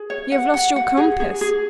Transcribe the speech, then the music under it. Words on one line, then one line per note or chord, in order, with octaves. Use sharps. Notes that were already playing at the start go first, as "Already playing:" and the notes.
You have lost your compass!
Already playing: G#4
C#5
F#5
F#5
F#5
G#4
G#4
G#4